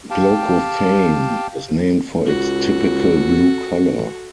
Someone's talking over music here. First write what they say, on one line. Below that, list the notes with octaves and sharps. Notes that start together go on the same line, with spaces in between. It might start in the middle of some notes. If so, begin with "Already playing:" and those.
Glaucophane is named for its typical blue color.
G4 F5 G5 A5
C#2 F#4 A4